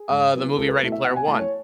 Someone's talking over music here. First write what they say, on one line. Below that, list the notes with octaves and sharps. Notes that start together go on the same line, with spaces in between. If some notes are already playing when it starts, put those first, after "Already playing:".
Uh, the movie, Ready Player One.
Already playing: G#4
G#2
F#3 B3 E4
C#2 A4
B4
B2 A3 E4
E5
B2 F#5
G#5
A3 E4 A5
C#5